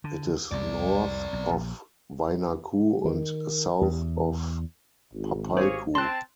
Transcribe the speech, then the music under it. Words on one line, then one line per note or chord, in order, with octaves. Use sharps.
It is north of Wainaku and south of Papaikou.
D3
C2 F2 C4 D5
B1
A#1
D#3
E2
G#1
A#3 G#4 C5 C#5
C4 A5 C6 F#6